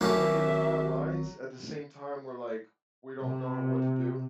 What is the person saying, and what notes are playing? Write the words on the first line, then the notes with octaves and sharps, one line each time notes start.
we're like in the front lines at the same time, we're, like we don't know what to do,
G#1 F#3 A#3 C#4 G4 E5
C3